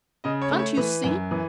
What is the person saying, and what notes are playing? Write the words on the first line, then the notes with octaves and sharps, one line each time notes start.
"Can't you see?"
C#3 D#5
C#5
A3
C#5
E3 B4
F#2
E3